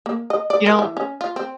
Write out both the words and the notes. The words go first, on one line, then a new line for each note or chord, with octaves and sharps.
you don't
A#3
D#5
D5
A#4
E3
C#4
F4
C4